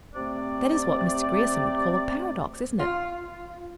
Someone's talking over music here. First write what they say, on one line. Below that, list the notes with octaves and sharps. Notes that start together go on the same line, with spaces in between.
That is what Mr. Grierson would call a paradox, isn't it?
C3 A3 C4 D5
F4